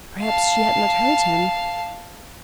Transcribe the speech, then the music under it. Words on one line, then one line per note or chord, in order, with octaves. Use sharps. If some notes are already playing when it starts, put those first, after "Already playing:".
Perhaps she had not heard him.
F5 A5